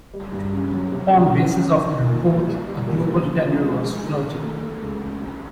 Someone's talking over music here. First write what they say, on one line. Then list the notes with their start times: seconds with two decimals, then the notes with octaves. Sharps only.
On basis of the report, a global tender was floated.
0.13 G3
0.33 G2
0.53 C#3
0.72 F#3
0.92 C3
1.11 C3
1.31 C#4
1.50 C#4
1.70 D#3
1.89 D#3
2.08 A#2
2.28 C2
2.47 G3
2.67 G3
2.87 A#2
3.06 A#2
3.26 F3
3.45 F3
3.64 G#3
3.84 G#3
4.03 D#3
4.24 D#3
4.43 A3
4.63 A3
4.82 C#2
5.01 C#3
5.21 C3